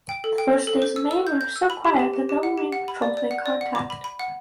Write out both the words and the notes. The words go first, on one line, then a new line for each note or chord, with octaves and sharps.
The first days of May were so quiet that no Marine patrols made contact.
G5
A4
G5
C5
A4
C5
E6
E6
G6
G6
E6
B5
G4
G4
G4
G4
F#5
G4
F#5
B5
D5
D5
F#5
D5
F#5
D6
B5
B5
F#5